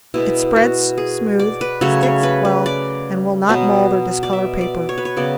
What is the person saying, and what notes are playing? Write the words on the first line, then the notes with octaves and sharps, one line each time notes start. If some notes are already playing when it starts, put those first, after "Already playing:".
It spreads smooth, sticks well and will not mold or discolor paper.
B2 G#3 B3 E4
F#4
G#4
D5
B4
C#3 F#3 A3 C#5
C#5
B4
B4
D5
B2 F#3 B3
D5
E5
D5
C#5
B4
C#5
C#3 F#3 B3 D5